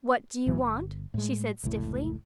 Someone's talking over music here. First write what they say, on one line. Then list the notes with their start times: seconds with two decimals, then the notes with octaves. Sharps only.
"What do you want?" she said stiffly.
0.46 A#1 G#2 E3 F#3
0.59 G1
1.14 A2 G#3
1.63 F1 C#2 A2